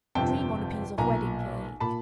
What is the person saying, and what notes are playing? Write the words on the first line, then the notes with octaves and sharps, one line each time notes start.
Dream on a piece of wedding cake.
G1 F2 C3 G5 A5
B1 A#2 G#5 A#5
A#2 A5 B5